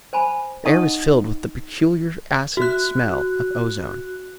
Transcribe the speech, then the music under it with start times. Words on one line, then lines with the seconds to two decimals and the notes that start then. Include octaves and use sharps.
The air was filled with the peculiar acid smell of ozone.
0.13 C5 G#5 A5 B5
0.65 D#4 D#5 F#5 A5 C#6 D#6
2.57 F#4 F#6